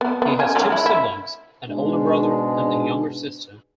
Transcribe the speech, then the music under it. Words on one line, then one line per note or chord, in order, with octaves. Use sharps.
He has two siblings, an older brother and a younger sister.
B3
B3
C#3 G#5
D#3 F#3 C#4
G#3 E4
E4
G#2 B2 G#3 D4